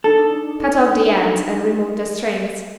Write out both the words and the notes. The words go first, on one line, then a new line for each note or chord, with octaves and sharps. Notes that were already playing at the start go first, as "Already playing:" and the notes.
Cut off the ends and remove the strings.
D4 D#4 A4